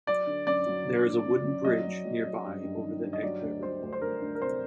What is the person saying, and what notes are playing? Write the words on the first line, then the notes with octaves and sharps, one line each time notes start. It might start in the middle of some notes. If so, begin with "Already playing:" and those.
There is a wooden bridge nearby over the Eg River.
F#3 D5
D3
F#2 D5
F#3
D3
D3
F#2
F#2
F#3 D#5
F#3
F#3
F#3
G2
G2
D#3
G2
D#5
F#3 D5
D2
F#3 C5
D2
C5
D2 A#4
D2
A#4
C3 C5